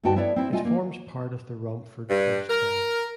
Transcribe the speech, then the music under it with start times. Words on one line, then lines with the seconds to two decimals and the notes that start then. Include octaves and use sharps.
It forms part of the Romford post town.
0.03 D2 G2 D#4 F#4 G5 A5
0.16 B3 E4 A4 B4 C#5 D5
0.36 C4 E4
0.53 A3 F4 D#5 G#5
0.65 A#3
2.10 G2
2.50 A#4